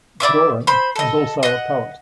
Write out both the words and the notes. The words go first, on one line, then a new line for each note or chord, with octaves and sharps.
Doran was also a poet.
E4 D5 E5 D6
C5 B5
A4 D#5
D#5 F#5